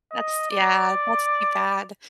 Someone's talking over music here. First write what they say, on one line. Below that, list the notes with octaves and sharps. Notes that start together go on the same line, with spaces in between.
that's yeah, that's too bad.
D#5
D5